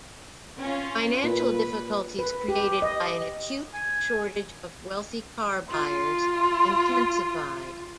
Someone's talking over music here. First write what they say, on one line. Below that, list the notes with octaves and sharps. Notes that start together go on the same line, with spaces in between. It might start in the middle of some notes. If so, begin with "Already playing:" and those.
Financial difficulties created by an acute shortage of wealthy car buyers intensified.
C#4 F4
A#2 B4
B4
G4
D#5
G#5
F4 C6